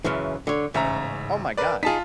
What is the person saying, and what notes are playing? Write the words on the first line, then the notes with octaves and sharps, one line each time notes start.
Oh my gosh.
F#2 C#3 E3
D3 C#5
A1 G#2 C#3 E5 A#5
A#4 B4 D5
D#4 F4 G#4 A5 B6